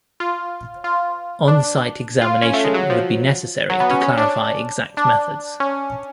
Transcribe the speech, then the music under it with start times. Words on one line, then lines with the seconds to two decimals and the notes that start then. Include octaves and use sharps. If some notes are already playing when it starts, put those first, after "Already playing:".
On-site examination would be necessary to clarify exact methods.
0.20 F4
0.84 F4
1.48 D4
2.21 F4
2.42 C#4
2.53 A3
2.64 G#3
2.74 F#3
2.90 F3
3.69 F#3
3.80 B3
3.91 C#4
4.01 C#4
4.17 D4
4.97 D4
5.60 C#4